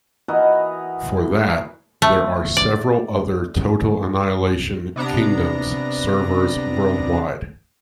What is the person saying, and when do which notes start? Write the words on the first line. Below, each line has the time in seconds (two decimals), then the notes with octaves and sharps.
For that, there are several other Total Annihilation: Kingdoms servers worldwide.
0.28 E3 F#4 A#4 D#5
2.02 A3
2.57 D5
4.96 C3 B3 D4 A#5